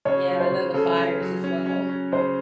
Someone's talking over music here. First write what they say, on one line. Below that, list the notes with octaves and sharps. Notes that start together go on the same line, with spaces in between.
Yeah, and then the fires as well.
C#3 C#5
F#3
C5
C#3
C#3 A4
C#4
F#3
C#4
C#4
C#4
C#3 C5